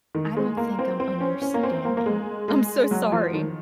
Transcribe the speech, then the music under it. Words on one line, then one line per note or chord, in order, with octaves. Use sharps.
I don't think I'm understanding. I'm so sorry.
D#3
G#3
A#3
C4
C4
C#4
C#4
A#3
C4
A#3
A#3
G#3
G#3
F#3
F3
D#3